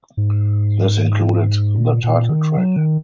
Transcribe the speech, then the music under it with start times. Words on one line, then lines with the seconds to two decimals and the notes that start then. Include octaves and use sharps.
This included the title track.
0.17 G#2
1.78 A#2
2.04 A#2
2.30 D#3
2.57 F#3
2.76 D#3